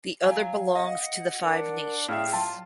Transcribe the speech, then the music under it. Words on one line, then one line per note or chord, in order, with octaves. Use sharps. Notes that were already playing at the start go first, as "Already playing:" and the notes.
The other belongs to the Five Nations.
F#3 F5 G#5
D#5 F#5
D4 A#4
A2 G#4 E5 F5 G5
F#3 F4 A5